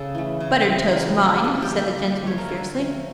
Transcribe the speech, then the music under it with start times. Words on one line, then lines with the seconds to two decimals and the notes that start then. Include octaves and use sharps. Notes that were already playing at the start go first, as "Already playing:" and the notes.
'Buttered toast, mind,' said the gentleman fiercely.
Already playing: C#3 A4
0.15 E3 A3
0.40 C#3
0.66 E3 A3
0.92 E3 A#4
1.18 A#3
1.44 E3 A4
1.62 G4
1.71 A#3
1.79 G4
1.96 D3
2.23 F3 A3 C#5
2.38 A#4
2.48 D3 A4
2.74 F3 A3